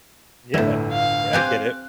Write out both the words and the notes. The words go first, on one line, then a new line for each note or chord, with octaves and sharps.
Yeah. Yeah, I get it.
G1 D2 A2 E4
F5
C4 G4 G#5 F#6